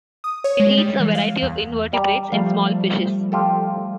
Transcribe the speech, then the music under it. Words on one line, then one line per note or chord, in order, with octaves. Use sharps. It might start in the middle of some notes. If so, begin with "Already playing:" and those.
It eats a variety of invertebrates and small fishes.
D#6
C#5
G#3
G3
E3
F5
E2
G3 A#5
F3 G3 A3 F5
F4 G4 A4